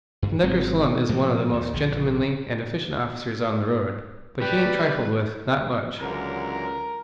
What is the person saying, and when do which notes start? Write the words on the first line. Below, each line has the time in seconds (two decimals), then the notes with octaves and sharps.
Conductor Slum is one of the most gentlemanly and efficient officers on the road; but he ain't trifled with, not much.
0.22 G2
0.42 G#1 C#3 G#3 C4
1.09 A2 F3 A#3
1.53 D#2
1.74 A#1 D3
4.42 G3 B4
6.00 C#2 D3 E3 F#3 A#4